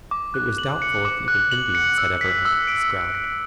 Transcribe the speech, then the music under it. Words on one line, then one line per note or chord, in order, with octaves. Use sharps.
It was doubtful if even Indians had ever hunted this ground.
D6
F#6
F#7
C#7
D6
F#6
F#7
C#7
E6
B6
E6
D7
E6
B6